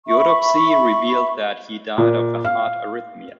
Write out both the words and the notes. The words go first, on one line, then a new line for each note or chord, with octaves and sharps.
The autopsy revealed that he died of a heart arrhythmia.
E5 B5 C#6
A#2
F5